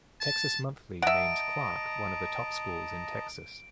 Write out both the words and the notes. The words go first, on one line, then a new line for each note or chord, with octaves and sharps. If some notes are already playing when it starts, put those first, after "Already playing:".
"Texas Monthly" names Clark one of the top schools in Texas.
A5
D#5 E5 F#5 A5 A#5 D7